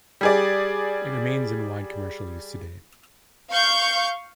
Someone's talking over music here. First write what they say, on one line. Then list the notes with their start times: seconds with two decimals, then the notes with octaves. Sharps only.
It remains in wide commercial use today.
0.21 G3 G#4 D5
3.50 F5 C#6 G6